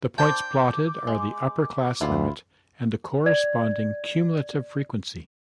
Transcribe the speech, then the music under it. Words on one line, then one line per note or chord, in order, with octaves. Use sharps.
The points plotted are the upper class limit and the corresponding cumulative frequency.
D4 C5 G5 A5 D6
G#3
D2 E4 F4
D5 G#6